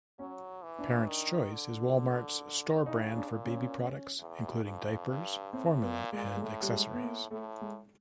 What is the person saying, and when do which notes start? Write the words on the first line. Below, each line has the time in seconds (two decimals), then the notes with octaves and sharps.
Parent's Choice is Walmart's store brand for baby products, including diapers, formula, and accessories.
0.19 F#3 C#4
0.63 E3
0.79 D4
1.08 D#3
1.53 D3
2.86 C#3 D#4
3.16 D4
3.30 A#2
3.45 C#4
4.19 E2
4.64 F2
5.09 G2
5.53 A2 C4
5.82 A#2 B3
6.13 A#2 G#3
6.36 G#3
6.42 A2 A3
6.62 G3
6.72 G#3
6.93 B3
7.02 A#3
7.31 A2 A3
7.61 G#3